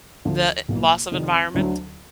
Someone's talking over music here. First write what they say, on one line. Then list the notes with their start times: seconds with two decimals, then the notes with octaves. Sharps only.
the eh loss of environment?
0.25 D2 D3 F3
0.68 B1 B2 A#3
1.11 F1 F2 D#3
1.54 D2 D3 F#3